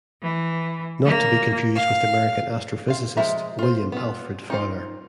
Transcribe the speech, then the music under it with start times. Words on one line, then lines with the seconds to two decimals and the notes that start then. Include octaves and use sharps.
Not to be confused with American astrophysicist William Alfred Fowler.
0.23 E3
1.06 A#3
1.75 F5
2.88 F4 F5
3.17 F3 G#3 F4 E5 A#5
3.59 F4 C5
3.92 B3 F4
4.50 D#4 F4 C5